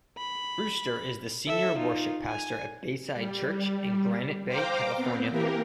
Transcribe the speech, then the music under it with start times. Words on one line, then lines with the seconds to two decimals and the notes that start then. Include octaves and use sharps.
Brewster is the senior worship pastor at Bayside Church in Granite Bay, California.
0.17 B5
1.47 A4 E5
1.77 D#4 F4
2.27 G#5
3.14 G3
4.46 C5 F5 G5 A#5 D6
4.95 B3 C4
5.30 E3 A#3 G4 A#4